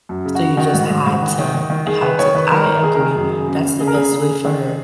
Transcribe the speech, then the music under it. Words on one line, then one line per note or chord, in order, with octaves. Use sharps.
S so you just had to, uh, had to I agree, that's the best way for her.
F#2
C#3
F#4
C#3
D#3 F#4
G#2
G#2
G#2
D#3
D#3
D#3
D#3
D#3 G#4
D#3 B4
D#3 C#5
D#3 B4
D#3 A#4
D#3
D#3 G#4
D#3 A#4
G#4
F#2
C#3
C#3
C#3
C#3 G#4
A#4
C#3 G#4
C#3
C#3
D#3